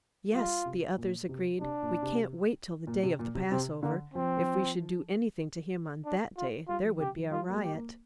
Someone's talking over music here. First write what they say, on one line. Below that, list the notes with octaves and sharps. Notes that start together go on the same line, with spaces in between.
"Yes," the others agreed, "we can't wait till the day of the Passover. If we should do anything to him on that day, there would be a riot."
G3 F4
C3
A#2
C3
C3 D4
A#2
C3
A#2
C3
A#2
C3
C3 C4
D3 A#3
F3 C4
D4
F4
G3 F4
F3
C3 G4
F3
G3 F4
A#3
G3
G4
A#3